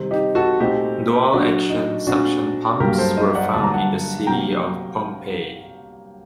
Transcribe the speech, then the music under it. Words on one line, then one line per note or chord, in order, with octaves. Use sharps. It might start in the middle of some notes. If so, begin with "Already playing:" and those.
Dual-action suction pumps were found in the city of Pompeii.
Already playing: C3 D#3 G3 C4
D#4 G4
F#4 A4
A#2 A3 C4 D#4 G4
A#2 F#3 A#3 D4 F#4
D#4
A#2 A3 C4 D4 F#4
G2 F#3 A#3 G4 A#4
A4 C5
C5 D#5
D5 F#5
G2 D3 F#3 A#3 A5
A#5
F#5 A5
C3 F#3 A#3 G5 A#5